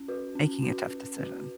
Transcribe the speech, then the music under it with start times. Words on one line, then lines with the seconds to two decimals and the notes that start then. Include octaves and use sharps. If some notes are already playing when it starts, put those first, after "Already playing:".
making a tough decision?
Already playing: C#4
0.08 F#4 B4
0.35 C#4
0.63 F#4 B4
0.91 C#4
1.18 F#4 B4